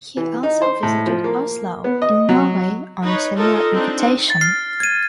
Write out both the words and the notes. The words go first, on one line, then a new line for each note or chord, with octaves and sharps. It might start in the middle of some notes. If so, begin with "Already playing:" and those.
He also visited Oslo, in Norway on a similar invitation.
E3
D#4
C5
A2
F3
A#3
B3
D#5
F#3
D#4 B4 C#5
D#4 F4 A4 A#4 D#5
C4 D4 D#4
A6
F6 C7
G#6 D#7